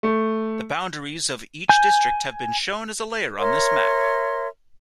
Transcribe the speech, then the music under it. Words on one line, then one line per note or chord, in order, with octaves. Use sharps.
The boundaries of each district have been shown as a layer on this map.
A3
G#5 G6
A#4 C#5 E5 C6